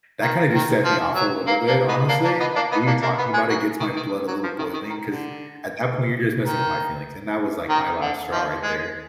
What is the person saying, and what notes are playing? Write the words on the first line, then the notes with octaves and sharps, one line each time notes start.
that kinda just set me off a little bit, honestly. Even talking about it gets my blood a little boiling, 'cause at that point, you're just messing with my feelings, and that was, like, my last straw right there.
D#3
D#3
F3
F#3
A#3
A#3 D4
B3 D#4
A#3 D4
A#3 D4
B3 D#4
A#3 D4
B3 D#4
A#3 D4
A#3 D4
B3
G#3
F#3
D#3
D#3
F#3
F3
D#3
D#3
D#3
D3
D#3
D#3
D3
F3
G#3